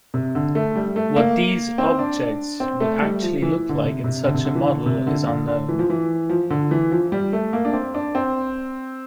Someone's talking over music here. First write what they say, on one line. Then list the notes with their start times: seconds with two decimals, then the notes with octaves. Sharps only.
What these objects would actually look like in such a model is unknown.
0.14 C3
0.35 D3
0.55 A3
0.76 G3
0.96 A3
1.16 A#3
1.78 C4
1.99 D4
2.60 C4
2.80 A3
3.01 G3
3.22 F3
3.42 E3
3.56 E3
3.69 D3
3.84 C3
4.04 C3
4.24 D3
4.34 C3
4.45 D3
4.55 E3
4.66 D3
4.86 C3
5.07 D3
5.27 D3
5.48 D3
5.69 E3
5.79 F3
5.90 E3
6.29 F3
6.50 D3
6.71 E3
6.91 F3
7.12 G3
7.33 A3
7.53 A#3
7.65 D4
7.73 C4
7.94 D4
8.15 C4